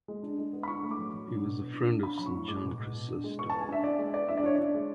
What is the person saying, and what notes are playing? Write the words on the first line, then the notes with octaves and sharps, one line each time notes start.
He was a friend of Saint John Chrysostom.
G#3
D4
G#3
B3
B5
D4 C#6
A3
D6
F#3
F#3
D4
B2
B3
D4
D4
D4 B5
F#3 B5
C#6
A2
G#3 D6
B2
B2
B2
D4
G#3
B3 C#6
B3 A5
G#5
D4 E5
D4 D5
G#3
B3 D5
D4 E5
D5
D4 C#5
D4 D5
G#3